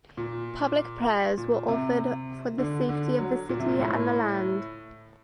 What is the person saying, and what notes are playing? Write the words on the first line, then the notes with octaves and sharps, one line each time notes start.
Public prayers were offered for the safety of the city and the land.
A#2
A#2
C3
D3
D3
F#3
A#2
C3
A#2
A2